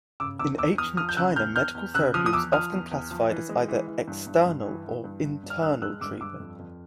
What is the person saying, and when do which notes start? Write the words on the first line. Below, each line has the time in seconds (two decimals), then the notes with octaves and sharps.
In ancient China, medical therapy was often classified as either "external" or "internal" treatment.
0.20 C#3 D6 E6
0.39 E2 D6 E6
0.58 E2 D6 E6
0.78 E2 D#6 F6
0.97 F3 D#6 F6
1.09 G6
1.17 C#3 E6 F#6
1.36 E2 F6 G6
1.56 E2 F6 G6
1.75 E2
1.94 C#3 E6 F#6
2.14 F3 D#6 F6
2.26 D#6
2.33 E2 D6 E6
2.52 F3 D#6 F6
2.72 E2
2.91 E2
3.11 F3
3.30 E3
3.49 G#3
3.68 E3
3.88 E3
4.08 G2
4.27 G2
4.46 G2
4.65 E3
4.85 E3
5.04 G2
5.24 G2
5.44 G2
5.50 F6
5.62 G2 E6 F#6
5.82 G#3 E6 F#6
6.01 G2 D6 E6
6.21 G2 D6 E6
6.40 F2
6.59 F2